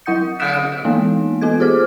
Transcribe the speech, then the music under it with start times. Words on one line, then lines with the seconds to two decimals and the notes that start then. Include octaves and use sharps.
Um, uh
0.06 F#3 E4 F#5 D#6 G6 C#7
0.40 D#6 F#6 B6 D7 E7
0.85 E3 G#3 A#3 B3 D#4
1.41 B3 F4 A4 G#6
1.60 G4 G#4 C5 D6 F6